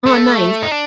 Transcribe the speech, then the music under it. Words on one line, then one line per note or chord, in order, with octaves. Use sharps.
Oh, nice.
A3
D#4
D4